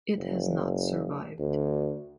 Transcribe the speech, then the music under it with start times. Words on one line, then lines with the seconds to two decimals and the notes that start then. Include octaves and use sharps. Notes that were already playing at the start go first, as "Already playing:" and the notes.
It has not survived.
0.18 F#1
1.39 D2